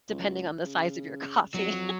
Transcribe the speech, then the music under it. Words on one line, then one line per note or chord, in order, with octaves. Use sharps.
depending on the size of your coffee.
C#2
C#3
F2 F#3